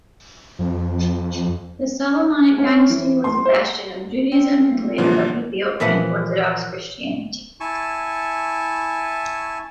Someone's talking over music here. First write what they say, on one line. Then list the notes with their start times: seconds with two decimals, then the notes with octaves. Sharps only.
The Solomonic dynasty was a bastion of Judaism and later of Ethiopian Orthodox Christianity.
0.59 F2
2.58 C#4
2.90 E3
3.24 C6
3.45 C5
4.32 C4
4.98 A#2 D3 E3 F3 B3
5.80 A#2 E3 F3 B4 F#5
7.60 E4 G#5 A5 C#6